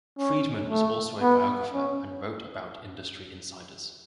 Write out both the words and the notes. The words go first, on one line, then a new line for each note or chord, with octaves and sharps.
Freedman was also a biographer and wrote about industry insiders.
C#4
A3
B3
C#4